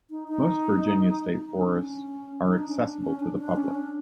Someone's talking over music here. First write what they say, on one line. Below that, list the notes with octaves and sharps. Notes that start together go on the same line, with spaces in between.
Most Virginia state forests are accessible to the public.
D#4
D#4
D#4
D4
C#4
D#4
D4
C#4
D4
C#4
D4
D4
C#4
D4